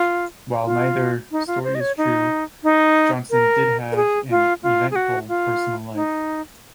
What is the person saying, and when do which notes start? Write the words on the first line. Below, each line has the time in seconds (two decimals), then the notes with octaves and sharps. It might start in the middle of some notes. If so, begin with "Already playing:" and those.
While neither story is true, Johnson did have an 'eventful' personal life.
Already playing: F4
0.65 F4
1.32 D#4
1.47 F4
1.64 C5
1.75 D#5
1.80 C#5
1.98 D#4
2.64 D#4
3.31 A#4
3.92 A#4
3.96 G#4
4.30 F4
4.63 F4
4.91 G#4
4.96 F#4
5.29 F4
5.95 D#4